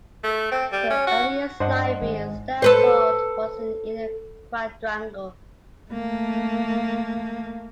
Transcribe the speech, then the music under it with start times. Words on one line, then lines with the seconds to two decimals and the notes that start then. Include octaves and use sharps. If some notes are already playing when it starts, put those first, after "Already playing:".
The earliest library at Stanford was in the inner quadrangle.
0.24 A3
0.52 C4
0.72 G3
0.90 C#4
1.07 F#4
1.60 G2 D4 C5 D#5 F#5
2.01 G#1 G#3
2.62 A4 B4 C5
5.91 A3 A#3